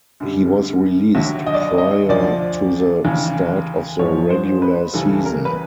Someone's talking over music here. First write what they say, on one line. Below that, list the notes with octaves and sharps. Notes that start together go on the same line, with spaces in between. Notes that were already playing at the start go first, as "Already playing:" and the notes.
He was released prior to the start of the regular season.
F#2 D3 G3
D#2 D3 F#3 E5
D#5
D5
D#5
D#5
D2 D3 F3 D5
D#2 C#3 E3
G#2 F3 C#5
C5
B4
C#2 C#3 E3 G3 A4
A#4
B4